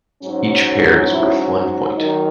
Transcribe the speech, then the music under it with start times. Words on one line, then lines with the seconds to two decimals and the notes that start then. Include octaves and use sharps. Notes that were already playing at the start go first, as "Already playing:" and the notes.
Each pair is worth one point.
0.21 G#2 F#3 C#4
1.09 E4
1.97 F#2 D#3 F#3 D#4